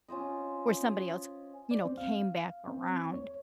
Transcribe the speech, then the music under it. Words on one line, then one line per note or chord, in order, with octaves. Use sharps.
where somebody else, you know, came back around.
C#4 F4 C5 D#5
D5
C4
F5
C4
C#5